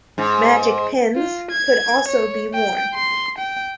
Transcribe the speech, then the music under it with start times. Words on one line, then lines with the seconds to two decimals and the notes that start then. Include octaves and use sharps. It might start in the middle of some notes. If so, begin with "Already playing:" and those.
"Magic pins" could also be worn.
0.18 G#2
1.15 F4
1.51 G#6
2.08 C#5
2.53 G5
2.94 C6
3.38 G5